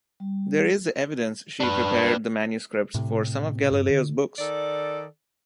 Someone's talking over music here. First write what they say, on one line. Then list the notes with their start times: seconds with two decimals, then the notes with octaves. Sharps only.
There is evidence she prepared the manuscripts for some of Galileo's books.
0.20 G3
1.60 D4 B4
2.94 A2 C3
3.71 G2
3.90 D3
4.39 D#3 A4 D5